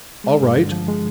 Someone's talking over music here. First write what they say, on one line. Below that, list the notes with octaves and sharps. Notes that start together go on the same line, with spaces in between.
'All right.
G#3
G2
D3
F3
G#3